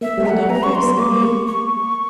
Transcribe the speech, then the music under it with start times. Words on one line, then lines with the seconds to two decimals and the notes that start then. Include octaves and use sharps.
"Philadelphia," said he.
0.01 A#3 E5
0.17 G3
0.26 A#5
0.29 A3 F#5
0.50 B3 A#5
0.63 C#4 C#6
0.75 C6
0.83 B3
0.98 A#3 D6
1.23 C#6
1.47 C#6